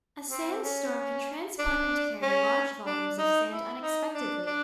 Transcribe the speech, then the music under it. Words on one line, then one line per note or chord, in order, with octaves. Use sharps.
A sandstorm can transport and carry large volumes of sand unexpectedly.
C4
C#4
D4
C#4
D4
D#4
E4
D#4
D4
D4